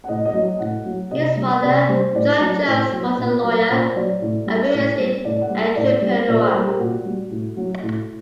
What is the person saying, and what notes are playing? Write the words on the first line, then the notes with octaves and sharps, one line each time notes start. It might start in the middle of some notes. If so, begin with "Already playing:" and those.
His father, John Jones, was a lawyer and real estate entrepreneur.
F#5
A2 D#5
D#5
F#3
D#5
A2 F#5
F#3
C3 D#5
G3
C3 D5
G3 C5
A2 D5
F#3
A2 C5
F#3
A#2
F#3
A#2 C5
F#3 D5
A2
G3
A2
G3
A2 D5
F#5
G3
A2 D5
G3 C5
A#2 D5
C5
G3 A#4
G4
A#2 F#4
G3
A2
F#3
A2